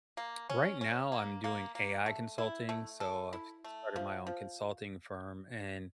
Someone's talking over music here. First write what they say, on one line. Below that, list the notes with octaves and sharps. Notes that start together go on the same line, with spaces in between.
right now I'm doing AI consulting, so I've started my own consulting firm, and
A#3
C#4
C#4
A#3
A#3
A#3
A3
E4
A3
A4
E4
A3
F3
F3